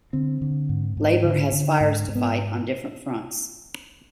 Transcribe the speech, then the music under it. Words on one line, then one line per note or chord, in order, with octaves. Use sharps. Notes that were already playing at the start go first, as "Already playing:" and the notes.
Labour has fires to fight on different fronts.
D3 C4
D3
G#2
G#2
D3
D3
G#2
G#2
B3